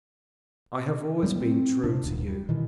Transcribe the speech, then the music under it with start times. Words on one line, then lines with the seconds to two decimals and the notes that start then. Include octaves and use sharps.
I have always been true to you.
1.23 F#3 G3 A#3 B3
1.40 C4
1.83 C3 D4
2.04 D#1 D#2
2.28 G3
2.49 B2 D#3 E3